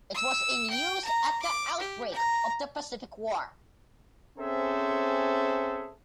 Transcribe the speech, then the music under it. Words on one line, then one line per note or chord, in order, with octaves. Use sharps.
It was in use at the outbreak of the Pacific War.
E6
G5
A#5
D6
G4
A#5
C4 C#4 G#4 A4 C5 E5